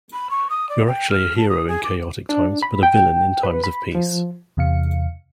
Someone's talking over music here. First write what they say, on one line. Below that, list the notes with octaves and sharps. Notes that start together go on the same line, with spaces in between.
You're actually a hero in chaotic times but a villain in times of peace.
B5
C#6
D#6
D5
G5
F6
A5
D#6
G#4
D6
D4
B5
G5
B4
B5
F3
E2 C3 F5 C#7